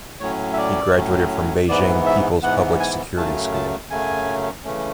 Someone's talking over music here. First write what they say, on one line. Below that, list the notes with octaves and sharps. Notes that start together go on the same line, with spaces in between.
He graduated from Beijing People's Public Security School.
A2 F#3 C#4 C#5
E5
D5
A2 F#3 C#4
G#2 E3 B3 D5
E5
G#2 E3 B3 F#5
G#5
F#2 C#3 F#3 A3 C#4 A5
A5
F#2 C#3 F#3 A3 C#4 G#5
C#3 E3 A3 C#4